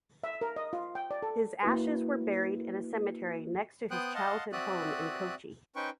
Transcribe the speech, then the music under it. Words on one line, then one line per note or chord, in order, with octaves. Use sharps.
His ashes were buried in a cemetery next to his childhood home in Kochi.
E5
A#4
D#5
F4
G5
D5
A4
A#3 E4 F#4 B4
B3 C5 G5 D#6 F#6
D#5 F5 F#5 A5 C6
C4 F#4 D5 E5 D#6 F#6
C#4 D#4 B4 C5 G5 C#6